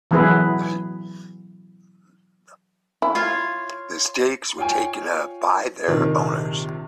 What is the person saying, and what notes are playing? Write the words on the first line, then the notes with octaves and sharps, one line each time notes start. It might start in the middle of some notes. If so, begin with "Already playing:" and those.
The stakes were taken up by their owners.
E3 F#3 B3 E4 G#4 B4
E4
F4 C#5 F5
F4 C#5 G5 G#5
A#1 C3 D#3